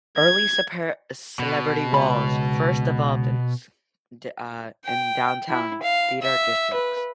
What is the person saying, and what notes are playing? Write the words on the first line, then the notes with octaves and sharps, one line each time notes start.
Early celebrity walls first developed in downtown theater districts.
G#6
B2
C#2 B5
G5
E4
F5
E5
B4